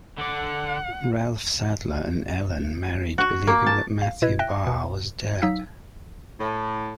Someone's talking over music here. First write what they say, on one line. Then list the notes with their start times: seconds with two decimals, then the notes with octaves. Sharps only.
Ralph Sadler and Ellen married believing that Matthew Barre was dead.
0.19 D3 D5 F#5
3.18 F#4
3.47 A#3
3.66 A5
4.02 F5
4.22 B2 E4 B4 D#5 G#6
4.39 E5 G5 F#6 A#6
4.67 B2
5.42 F#3 D#4 F5 E6 B6
6.40 A2